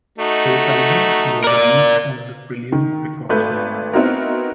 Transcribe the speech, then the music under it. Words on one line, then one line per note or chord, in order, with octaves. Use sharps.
Both albums were released on the Prelude Records label.
A3 D#4 F#4
A#4 D5
D#3
G#1 A3 B4 G6
B3 C4 D#4 E4 F#4 A#4